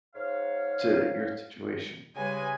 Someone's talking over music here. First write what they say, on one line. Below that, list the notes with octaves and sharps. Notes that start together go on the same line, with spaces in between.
to your situation.
G#2 C#5 F5
C#3 G3 G#3 B4 G#5